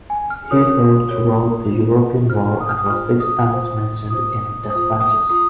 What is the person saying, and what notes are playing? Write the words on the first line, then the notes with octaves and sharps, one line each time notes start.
He served throughout the European War and was six times mentioned in Despatches.
G#5
F6
F#4 A#4 C#5 D#6
F#4 A#4 C#5
F4 C5
F4 C5 F6
D#6
F6
D#6
F4 C5 F6
D#6
F4 C5
F4 C5 D#6
C5 D#6
F4
D#6
F4 D#6